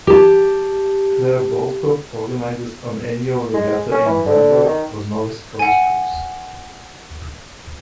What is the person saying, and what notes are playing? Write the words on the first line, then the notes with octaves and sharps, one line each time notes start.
Clare Boat Club organises an annual regatta in November for novice College crews.
G4 A5
G#3
C#4
E3
D3
D#3
F#5 G#5